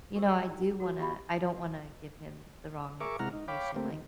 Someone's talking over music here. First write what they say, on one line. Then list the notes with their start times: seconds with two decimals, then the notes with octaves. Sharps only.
you know, I do wanna I don't wanna give him the wrong expectation, like,
0.16 G4 A#4 C5 E6
0.32 A#4 G5
0.48 D#4 E4 A#4 A#5
0.61 C#4
0.80 F#4 A4 A#4 C#5
0.99 F4 G4 F5 B5
3.01 G#4 A#4 E5 C#6 D6
3.19 C3 G#3 E4 F#5 A#5 F6
3.33 D#4
3.48 C#5 F5 G5 B5 D6
3.76 A3 A#3 C4 G4
3.91 D#3